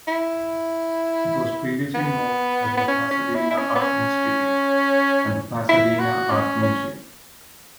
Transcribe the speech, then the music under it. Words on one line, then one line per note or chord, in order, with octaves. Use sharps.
It was previously known as the Pasadena Art Institute and the Pasadena Art Museum.
E4
B3
B3
C#4
C#4
E4
E4
C#4
B3
C#4
E4
F#4
C#4
C#4